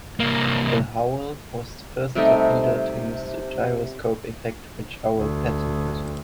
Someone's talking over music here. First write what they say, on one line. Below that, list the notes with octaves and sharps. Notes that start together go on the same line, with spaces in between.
The Howell was the first torpedo to use the gyroscope effect, which Howell patented.
C2 A#3
C3 G3 A3 D#4
D2